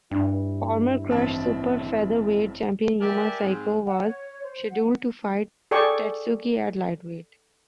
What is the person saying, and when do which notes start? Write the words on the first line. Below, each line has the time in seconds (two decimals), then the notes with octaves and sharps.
Former Krush Super Featherweight champion Yuma Saikyo was scheduled to fight Tatsuki at lightweight.
0.11 G2 D4 E4
1.09 A1 C4 A5
3.00 G4 A#4 D5 E5 G#5
3.41 G#2 C4
3.85 F#5
4.01 C#5
4.43 C5
4.69 F#5
5.71 G#4 A4 D5 G5 G#5 C#6